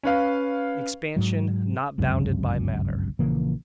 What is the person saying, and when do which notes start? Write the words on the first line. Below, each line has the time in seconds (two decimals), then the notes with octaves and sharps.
Expansion not bounded by Matter.
0.03 C#4 B4 F5
1.16 G#2 F#3
1.98 G1 C#2 F#2 C3
3.19 A#1 C#3 E3 A#3